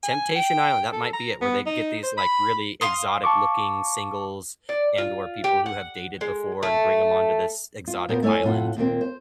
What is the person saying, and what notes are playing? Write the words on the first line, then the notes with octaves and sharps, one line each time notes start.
Temptation Island, that might be it, where they get these, like, really exotic looking singles and, or people who have dated before and bring 'em onto this exotic island.
G#5
G5
A4
A#5
B3
D#4
C5
B5
F5 C6 D#6
A5 C#6 D6
D5
F4
G4
F#5
G#3
A3
F4
A#2 B3 F#4 A#4 C5
A3 E4 C#5 G5 G#5
A2 C3 F4 F#5
D#2 A#2 A#3 C4
C5